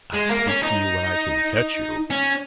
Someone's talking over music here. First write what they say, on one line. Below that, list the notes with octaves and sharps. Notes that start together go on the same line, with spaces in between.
I speak to you when I can catch you.
G#3
A#3
C#4
D#4
C#4